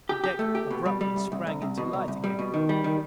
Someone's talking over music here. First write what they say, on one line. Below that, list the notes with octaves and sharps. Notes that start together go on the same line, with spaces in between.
The deck abruptly sprang into light again.
G4
G4
A3
G4
B2
G3
G3
C2
C2
C2
C2
B2
C2
C2
G3
B2
D#3
G3
D#3